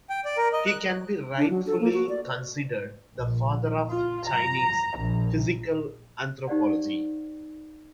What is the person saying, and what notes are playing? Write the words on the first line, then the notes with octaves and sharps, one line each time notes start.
He can be rightfully considered the father of Chinese physical anthropology.
G5
D5
A#4
D#5
F#6
D4
F#3
A4
A#3
F#4
D5
A#1
F4
A#5
A#1
D#4 G4 C5 D5 F5 F#5